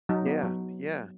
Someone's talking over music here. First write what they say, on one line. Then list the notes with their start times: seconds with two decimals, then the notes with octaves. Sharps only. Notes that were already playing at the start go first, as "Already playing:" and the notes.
Yeah, yeah,
0.09 F#3 D#4
0.26 B3
0.43 F#3